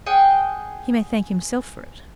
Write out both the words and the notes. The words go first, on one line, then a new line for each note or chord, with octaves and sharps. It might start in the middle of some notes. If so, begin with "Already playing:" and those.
"He may thank himself for it."
G#4 D#5 F#5 G5